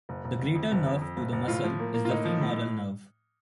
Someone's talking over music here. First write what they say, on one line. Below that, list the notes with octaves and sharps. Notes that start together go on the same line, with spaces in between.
The greater nerve to the muscle is the femoral nerve.
F#1
F#1
F#1
F2
F#1
F2
F2
F#1
F#1
A2 F4
F3
A#3
A#3
F4
A2 D#4
F3
A2